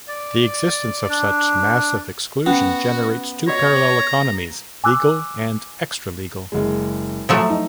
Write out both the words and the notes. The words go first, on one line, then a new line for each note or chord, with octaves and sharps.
The existence of such massive exclusion generates two parallel economies, legal and extra legal.
D5
D4
B3 C#4 F#4
F#4 C#5 D#5 A#5
G#5 D6 E6 F#6
F#1 G#3
F3 F#3 A3
D#4